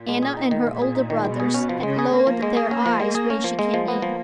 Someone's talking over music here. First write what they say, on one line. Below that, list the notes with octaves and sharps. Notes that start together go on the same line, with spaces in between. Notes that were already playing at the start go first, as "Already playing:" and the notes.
Anna and her older brothers had lowered their eyes when she came in.
Already playing: A#2
G#3
G#4
D#4
D#3
A#2 G#3
G#4
D#4
D#3
B2 G#3
G#4
C#4
F3
C#3 G#3
G#4
A#3 C#4
F3
G#3
G#4
C#4
F3
G#3
G#4
C#4
F3
G#3 A#3
F3
A#3 B3
F3